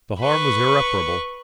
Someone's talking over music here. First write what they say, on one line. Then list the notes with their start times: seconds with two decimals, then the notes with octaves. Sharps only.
The harm was irreparable.
0.20 B4 C#6